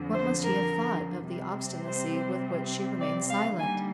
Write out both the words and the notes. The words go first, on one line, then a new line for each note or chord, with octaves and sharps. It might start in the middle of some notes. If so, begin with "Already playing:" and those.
What must he have thought of the obstinacy with which she remained silent?
Already playing: F2 D3 F3
C5
A#4
C3 G3 C4
C5
D5
F5
D3 G3 A#3 D#4 G#5